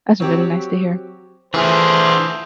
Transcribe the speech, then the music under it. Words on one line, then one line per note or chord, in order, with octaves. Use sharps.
That's really nice to hear,
F#3 C4 G4
D3 E3 A3 F4 G#4 C5 G#5